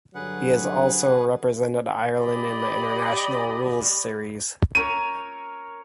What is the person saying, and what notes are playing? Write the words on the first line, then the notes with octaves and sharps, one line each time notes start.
He has also represented Ireland in the International Rules Series.
G2 D3 F#3 G#4 B4 F#5
G4 D5 D#5 B5
A#4 C#5 D#7